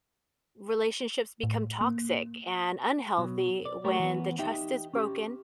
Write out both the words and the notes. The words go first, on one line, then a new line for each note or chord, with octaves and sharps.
relationships become toxic and unhealthy when the trust is broken,
A2
A#3
B2 F#3
D5
A3 G4 A#4 C#5
E3 B3
D#4 G4 E5 G5
C#4 G4